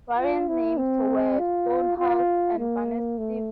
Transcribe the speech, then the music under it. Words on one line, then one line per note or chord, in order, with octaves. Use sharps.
Variant names were "Stone House" and "Barnetsville".
F4
E4
C4
F4
F4
A#3
A3